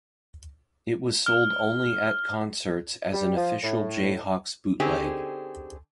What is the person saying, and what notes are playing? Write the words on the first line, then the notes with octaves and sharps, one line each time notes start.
It was sold only at concerts as an Official Jayhawks Bootleg.
F6
G3
F3
A2
D3 C4 C#4 D#4 G4 G#4